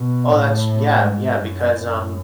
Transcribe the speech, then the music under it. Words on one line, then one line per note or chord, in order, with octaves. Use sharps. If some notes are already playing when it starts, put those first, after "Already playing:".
Oh, that's Yeah, yeah, because, um,
Already playing: B2
A2
G#2
F#2
F#2